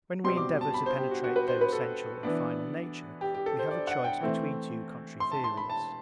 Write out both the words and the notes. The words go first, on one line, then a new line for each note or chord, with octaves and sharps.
When we endeavour to penetrate their essential and final nature, we have a choice between two contrary theories.
B2 G3 C4 C6
D6
A5
B5
C5
G4
F#4
F#4
B4
C5
B4
A4
E3 B3 D4
G4
G4
A4
C5
D5
F#5
G5
E3 A3 C4
C6
A5
C6
B5
A5